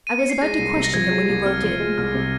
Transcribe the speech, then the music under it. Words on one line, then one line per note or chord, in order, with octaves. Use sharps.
I was about to question him, when you broke in.
D#7
C#7
C7
G#3 A#6
C2
C3
A#6
F3 G#6
G#3
C2
C3 F6
F3
G#3
C2 F6
C3